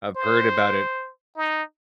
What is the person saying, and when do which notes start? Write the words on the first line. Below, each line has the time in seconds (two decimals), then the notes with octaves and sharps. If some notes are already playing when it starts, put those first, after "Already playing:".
I've heard about it.
0.16 C5
1.37 D#4